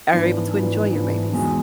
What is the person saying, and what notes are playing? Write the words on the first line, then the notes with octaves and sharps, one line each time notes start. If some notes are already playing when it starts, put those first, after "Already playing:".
are able to enjoy your babies.
G#2 E3 B3 D4
G#2 E3 B3 D4
G#2 E3 B3 D4
E2 B2 G#3